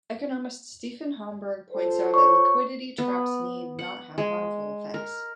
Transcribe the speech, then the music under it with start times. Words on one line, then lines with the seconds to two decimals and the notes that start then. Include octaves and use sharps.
Economist Stefan Homburg points out that liquidity traps need not have harmful effects.
1.71 F4 A4 C5
2.14 C#5 C#6
2.98 B3
3.79 F#5
4.18 G#3
4.94 A#4